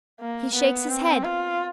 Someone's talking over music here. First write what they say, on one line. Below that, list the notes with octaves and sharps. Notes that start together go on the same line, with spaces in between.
'He shakes his head!
A#3
B3
C4
F4